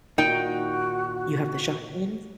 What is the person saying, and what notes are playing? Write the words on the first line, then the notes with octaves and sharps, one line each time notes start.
you have the shotguns?
A#2 D#3 D#4 F#4 G5